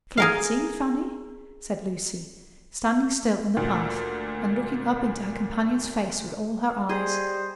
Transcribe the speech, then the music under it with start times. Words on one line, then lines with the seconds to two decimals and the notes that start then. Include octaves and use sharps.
"Flirting, Fanny!" said Lucy, standing still in the path, and looking up into her companion's face with all her eyes.
0.17 G#4 A#4 F5
3.57 D2 A#2
6.89 G3 G#4 C5 D#5